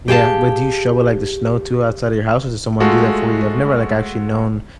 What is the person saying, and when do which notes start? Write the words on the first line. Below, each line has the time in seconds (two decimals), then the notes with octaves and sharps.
Yeah, but do you shovel, like, the snow to outside of your house or does someone do that for you? I've never like actually known,
0.08 G4 G#4 F5 A5
2.80 G#3 A3 F4 F#4 A4